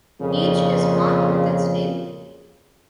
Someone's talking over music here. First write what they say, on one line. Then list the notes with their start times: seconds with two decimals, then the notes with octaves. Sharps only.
Each is marked with its name.
0.20 F2 A#2 C#3